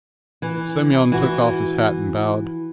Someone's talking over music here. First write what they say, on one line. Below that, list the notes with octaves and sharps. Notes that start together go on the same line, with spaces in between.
Semyon took off his hat and bowed.
E3
E3 E4 F#4